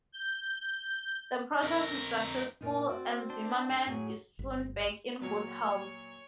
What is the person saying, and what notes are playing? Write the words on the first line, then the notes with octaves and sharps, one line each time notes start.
The process is successful, and Zimmerman is soon back in good health.
G6
F2 A#4
A#2 D4 D#4
C4 F#4 D5
D4 C5
A4
A2 F#3 G#4
G1
A#2 F#3 C#5